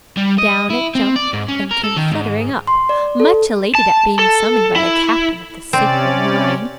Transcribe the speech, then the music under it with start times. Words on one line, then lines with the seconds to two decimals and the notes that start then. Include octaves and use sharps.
Down it jumped and Came fluttering up, much elated at being summoned by the captain of the sacred nine.
0.17 G3
0.38 D#5
0.70 E4
0.95 C4
1.16 D5
1.33 G#2
1.48 C#4
1.71 A#4
1.84 A4
1.97 D#3
2.12 G#2
2.67 C6
2.89 D5
3.20 A4
3.75 A5
4.19 A4
4.76 E4
5.73 C3 C4 C#4 D5